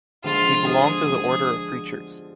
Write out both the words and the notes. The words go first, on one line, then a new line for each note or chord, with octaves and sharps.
He belonged to the order of preachers.
D3 F3 G#3 F4
D3 F3 G#3 G#4
D3 F3 G#3